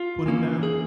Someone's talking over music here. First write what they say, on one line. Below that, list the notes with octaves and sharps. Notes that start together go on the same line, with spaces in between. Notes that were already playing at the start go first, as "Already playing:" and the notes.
put 'em down,
Already playing: F4
E3 A#3 C#4
G#4